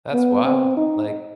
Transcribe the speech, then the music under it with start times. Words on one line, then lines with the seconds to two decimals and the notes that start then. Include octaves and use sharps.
That's wild, like,
0.13 B3
0.45 C4
0.77 D#4